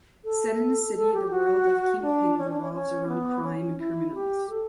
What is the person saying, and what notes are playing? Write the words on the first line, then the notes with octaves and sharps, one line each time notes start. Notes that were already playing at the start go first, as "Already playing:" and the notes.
Set in a city, the world of "Kingpin" revolves around crime and criminals.
A4
A4
G4
F#4
D4
C#4
D4
C#4
C#4
B3
C#4
E4
G4
A4